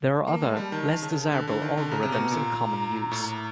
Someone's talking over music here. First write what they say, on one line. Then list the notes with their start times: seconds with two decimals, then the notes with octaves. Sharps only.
There are other, less-desirable algorithms in common use.
0.12 A5
0.27 A#3
0.42 G#3
0.57 G3
0.72 D#3
1.02 C#3
1.32 D3
1.47 D3
1.62 D#3
1.77 D3 A5
1.91 C#3 A#5
2.03 C3
2.12 B2
2.32 A#2
3.11 A2